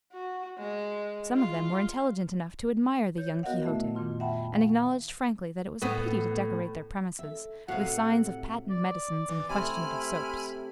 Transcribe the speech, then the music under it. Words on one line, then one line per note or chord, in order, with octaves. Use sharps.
Some of them were intelligent enough to admire the young Quixote, and acknowledged frankly that it was a pity to decorate their premises with signs of patent medicines and questionable soaps.
F#4
G#3
F4
C#5 G6
B3 F#4 A#4 D#5 F5 F#5
A#2 A3 E4 E5 A5
F2 A#2 D#3 F4 C6
E5 F#5 G5 A5 B5
F5
A2 B3
A4 E5
A2 C3 F#4 F5 F#5
D5
E3
C3 A3 E4 C5 G#5 B5 F6